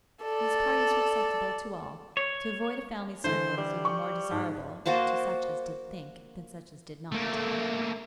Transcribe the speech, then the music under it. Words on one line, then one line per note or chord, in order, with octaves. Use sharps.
These parties were acceptable to all; to avoid a family circle was even more desirable to such as did think, than such as did not.
A4 D5
C#5
D3 E3 C5
G3
C#6
G#2
A#3 F#4 C5 A5
A3 A#3